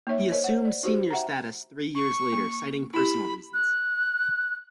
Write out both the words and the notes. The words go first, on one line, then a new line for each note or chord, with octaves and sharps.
He assumed senior status three years later, citing personal reasons.
A#3 D#4 C#5 E5
A#4 C5 C#5 D#5
C5 F#5
D5
D#4 F#4 G4 C5
E5 F#5 G5 A#5
C#6
A#3
E4 G4 B5
F#6